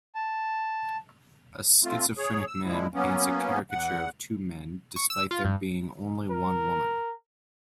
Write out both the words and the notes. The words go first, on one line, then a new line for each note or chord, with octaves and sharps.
A schizophrenic man paints a caricature of two men despite there being only one woman.
A5
A3 C4 F4
G#4 C#5
E6
A#2 F3 G#3 E4
F#3 A#3 B3 C#4
E2 F#5
C#6
E6
F4
G2
A#4